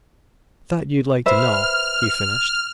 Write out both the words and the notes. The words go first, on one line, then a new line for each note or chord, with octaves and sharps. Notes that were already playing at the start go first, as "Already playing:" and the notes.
"Thought you'd like to know," he finished.
B4 C5 E5 F6